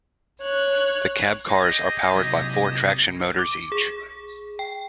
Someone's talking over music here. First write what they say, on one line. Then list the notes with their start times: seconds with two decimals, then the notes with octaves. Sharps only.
The cab cars are powered by four traction motors each.
0.43 C#5 F#6
1.49 G4 G#4 D#5 A#6
2.16 C3 F#3
3.39 D6
3.72 G#4
4.59 G5